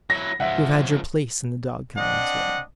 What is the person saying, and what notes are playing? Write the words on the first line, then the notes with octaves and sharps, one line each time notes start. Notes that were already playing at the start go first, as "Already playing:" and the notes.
You have had your place in the dog-kennel as well.
F#3 E4 A#6
C#2 F3 E5 F#5
C4 D4 D#5 F#5